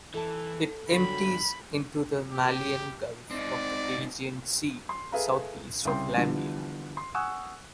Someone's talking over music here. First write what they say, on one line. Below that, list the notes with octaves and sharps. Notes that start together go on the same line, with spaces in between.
It empties into the Malian Gulf of the Aegean Sea southeast of Lamia.
E3 A4 A5
G2 D3 F#3 B5
G4
C4 D#4 D5
C6
G#4 A4 B4 E5 F5 A#5
C2 C#3 G5 C6
D3 E3 F3 G3 B3 D4
C6
F#5 G#5 C#6 D#6 E6 F#6